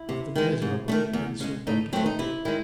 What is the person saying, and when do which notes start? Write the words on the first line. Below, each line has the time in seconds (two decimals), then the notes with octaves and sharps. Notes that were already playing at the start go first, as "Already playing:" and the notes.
"Of the miserable," answered Don Quixote.
Already playing: E4
0.09 C3
0.36 D#3 G#3
0.62 G#2
0.88 D#3 F#3 A3
1.13 E2
1.40 C#3 G#3
1.67 A2 D#4
1.93 F#3 A3 C4
2.06 D#4
2.19 C3 E4
2.45 D#3 G#3 E4